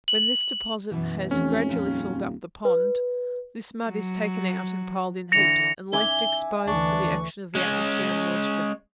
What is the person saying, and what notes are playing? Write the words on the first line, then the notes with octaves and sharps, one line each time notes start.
When this deposit has gradually filled up the pond, this mud is taken out and piled in heaps, and left exposed to the action of the atmosphere and moisture.
F#7
F#2 B2 E3
F1 E2 C#4
F2 A#2
D#1
B4
F#3
D3 E3 A#6 C#7 F7
E5 G#5 D6 G7
D2 E3 D4 C#6
G#3 C#4